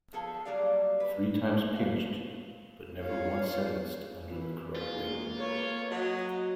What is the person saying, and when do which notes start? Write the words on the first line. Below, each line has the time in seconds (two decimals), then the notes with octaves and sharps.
Three times pinched, but never once sentenced under the correct label.
0.13 F3 B3 G#4 A4 F5
0.45 F#3 G3 A#3 G#4 D5 F5
1.00 B4
1.76 F5
3.01 F4 G#4 C#5 F5
4.30 E3 B3
4.75 G#3 A#3 F4 F#4 G#4
5.34 A4 B4 C#5
5.91 F#3 D#5